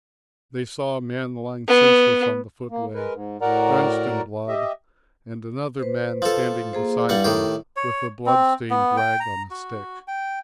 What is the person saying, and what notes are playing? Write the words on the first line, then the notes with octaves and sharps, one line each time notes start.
They saw a man lying senseless on the footway, drenched in blood, and another man standing beside him with a blood-stained rag on a stick.
B3
A#3
G#3 A#4 B4
G#2
A2 F#4 A#4 D5 F#5 A#5
G4 D#5 E5
B4 C5
F3 A4
A#3 G#4 C5
G2 G3 E4 F#5
A2 D#3 G4
C#5
C4
B3
G5
A#5
F#4
G5